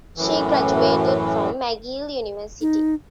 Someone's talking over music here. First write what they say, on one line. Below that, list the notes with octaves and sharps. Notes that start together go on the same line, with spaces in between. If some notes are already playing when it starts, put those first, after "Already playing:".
She graduated from McGill University.
F#2 A2 E3
D#4